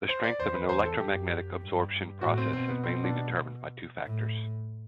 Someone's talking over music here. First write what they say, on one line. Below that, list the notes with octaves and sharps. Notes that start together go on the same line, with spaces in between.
The strength of an electromagnetic absorption process is mainly determined by two factors.
C5
D5
E2 C5
B4
E2 C5
A4
F#2 G4
G2
A2 F#4
C4
B2 C4
B3
C4
D4
A2